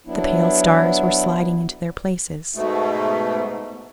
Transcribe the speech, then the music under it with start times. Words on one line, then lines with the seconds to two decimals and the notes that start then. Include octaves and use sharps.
The pale stars were sliding into their places.
0.06 F#3 B3 D4 E4
2.55 G#2 B2 A3